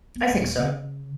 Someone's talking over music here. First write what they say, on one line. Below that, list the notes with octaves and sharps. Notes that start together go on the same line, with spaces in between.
I think so.
B3
D#1
C#3